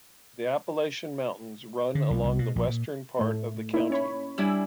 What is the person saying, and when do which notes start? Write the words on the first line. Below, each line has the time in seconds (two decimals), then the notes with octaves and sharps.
The Appalachian Mountains run along the western part of the county.
1.95 D3
2.10 B1
2.23 C2
2.39 B2
2.56 A#1
2.67 A#2
3.19 A2 A3
3.73 A#3 D#4 E4
3.90 C#4 C#5 B5
4.38 G3 D4 E4 G#5 E6